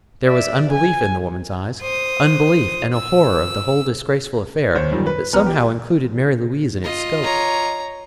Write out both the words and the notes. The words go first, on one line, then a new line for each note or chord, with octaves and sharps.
There was unbelief in the woman's eyes--unbelief and a horror of the whole disgraceful affair that somehow included Mary Louise in its scope.
D5 E5
G#5
C5 D#6
E6
D#2 C5 C#5
F#2 A#2 D#3 G3
B4
A#1 B3 A#5 F6
G4
F4 D#5
C#5 A#5